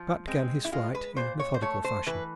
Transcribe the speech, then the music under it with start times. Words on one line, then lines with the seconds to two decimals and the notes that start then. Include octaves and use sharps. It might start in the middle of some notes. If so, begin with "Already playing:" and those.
Pratt began his flight in methodical fashion.
Already playing: F3
0.27 G#3 C4
0.65 E4
0.72 G#3 F4
0.95 B4
1.17 A#2 C5
1.40 C#5
1.54 C5
1.62 A3 C#5
1.84 C5
2.06 E3 B4